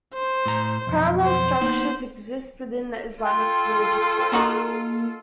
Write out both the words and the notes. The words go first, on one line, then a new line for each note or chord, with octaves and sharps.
Parallel structures exist within the Islamic religious group.
C5
A2 A#5
B1 F2
C5
A#3 B3 D#4
F4 A4 G5 C6
A#3 D#4 F#4 A#4